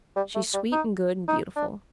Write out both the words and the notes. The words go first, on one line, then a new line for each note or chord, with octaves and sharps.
She's sweet and good and beautiful.
G3
A3
G3
D#4
D#4
D4